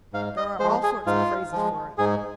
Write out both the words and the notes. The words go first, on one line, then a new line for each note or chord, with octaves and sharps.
There are all sorts of phrases for it.
G#2 F5
D#5
F3 G#3 C5
G#4
G#2 F4
F3 G#3
G#2 G#4